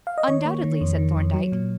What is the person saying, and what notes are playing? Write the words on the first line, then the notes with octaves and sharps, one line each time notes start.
"Undoubtedly," said Thorndyke.
F5
D#5
D#3 C#5
A#3
D#3
F2
D#3
F2
F#3
A#2